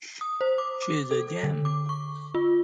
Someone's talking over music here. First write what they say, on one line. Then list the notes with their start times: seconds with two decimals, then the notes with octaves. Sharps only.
She’s a gem.
0.21 D#6
0.41 C5
0.58 D6
0.82 D6
1.11 A4
1.43 D3
1.65 D6
1.89 C#6
2.35 F4